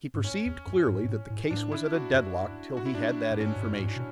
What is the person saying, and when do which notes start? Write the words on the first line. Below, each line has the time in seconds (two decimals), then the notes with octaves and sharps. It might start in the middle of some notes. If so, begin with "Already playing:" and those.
He perceived clearly that the case was at a deadlock till he had that information.
0.14 G#2
0.24 F#2 C#4
0.46 E2
0.67 F#2
0.88 G#2
1.04 G#2
1.09 A2
1.30 A2
1.51 A2 D4
1.72 E4
1.93 F#4
2.14 F#2
2.77 F#4
2.86 E4
2.95 D4
3.03 E4
3.31 A2
3.40 G#2 C#4
3.56 G#2
3.66 G#2
3.71 F#2
3.80 G#2
3.96 B2